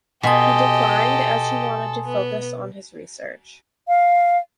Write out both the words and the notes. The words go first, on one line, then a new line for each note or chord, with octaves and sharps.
He declined as he wanted to focus on his research.
B2 G4 A4 D#5 G#5 C6 D#6
B3
F5